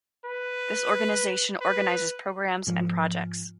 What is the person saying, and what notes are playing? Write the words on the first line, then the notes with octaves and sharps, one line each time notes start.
This organization organizes programs and projects.
B4
B4
G#2 F3